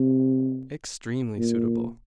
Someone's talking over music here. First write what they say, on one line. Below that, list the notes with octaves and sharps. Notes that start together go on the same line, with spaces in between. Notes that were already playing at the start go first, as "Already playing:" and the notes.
Extremely suitable.
Already playing: C3
A#2